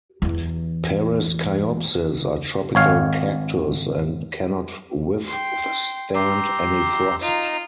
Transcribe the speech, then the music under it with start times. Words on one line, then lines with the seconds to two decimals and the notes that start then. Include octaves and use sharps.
"Pereskiopsis" are tropical cactus and can not withstand any frost.
0.22 E2 E3
2.75 G#1 C#5 F5
5.27 G5 C6
6.15 G4 A#5 C6 E6
7.21 D#4 F4 A#5